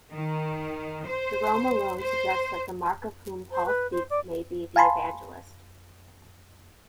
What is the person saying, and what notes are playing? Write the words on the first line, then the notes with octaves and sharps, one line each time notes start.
Jerome alone suggests that the Mark of whom Paul speaks may be the Evangelist.
D#3
C5
C5
C5
B4
C5
D5
F5 G#5 A5 B5 C6